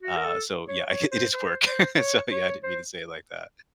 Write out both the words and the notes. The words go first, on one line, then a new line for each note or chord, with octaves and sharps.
uh, so, yeah, I ge it is work, so, yeah, I didn't mean to say it like that.
F#4
A#4
A4
C#5
C#5
C5
C5
C5
C#5
C#5
C5